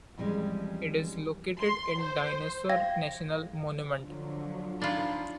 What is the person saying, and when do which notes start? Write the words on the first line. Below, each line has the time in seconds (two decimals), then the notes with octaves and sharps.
It is located in Dinosaur National Monument.
0.17 F2 E3 G3 G#3 C#4
1.60 C6
2.00 C5
2.69 F5 G5 G#6 A#6
4.01 D3 F3 F#3
4.82 D4 D#4 F4 B5